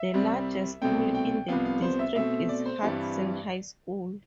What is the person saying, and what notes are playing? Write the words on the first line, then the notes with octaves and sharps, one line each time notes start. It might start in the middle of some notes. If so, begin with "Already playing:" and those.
The largest school in the district is Hudson High School.
Already playing: E5
C2 C3 G3 C4
C2 B2 A3 C4 G5
G5
C2 C3 F3 B3 F5
F5
C5
E5
B2 A3 C4 E5
D5
C5
G2 E3 G3 C4 D5